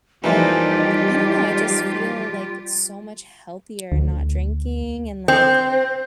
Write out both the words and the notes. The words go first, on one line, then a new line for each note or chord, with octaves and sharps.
I don't know. I just feel, like, so much healthier not drinking, and, like,
F2 A#2 E3 G3 D#4 F4 G4
D2
C4